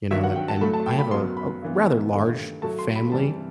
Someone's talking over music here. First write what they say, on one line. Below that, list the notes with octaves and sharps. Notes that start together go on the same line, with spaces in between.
You know? And and I have a a rather large family,
G2 D#3 F#3 E5
F#5
G5
A5
A2 F#3 A3 B5
A5
G5
B5
F#2 F#3 B3 C6
B5
G2 E3 B3
G2 D#3 A3
A2 F#3 A3 A5
C6
B5
C3 E3 G3 A5